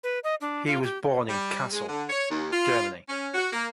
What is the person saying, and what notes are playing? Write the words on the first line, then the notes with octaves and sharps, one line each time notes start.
He was born in Kassel, Germany.
B4
D#5
D4
F4
G4
G3
G#3
D3
C#5
D#2
F4
C#4
F#4
A#3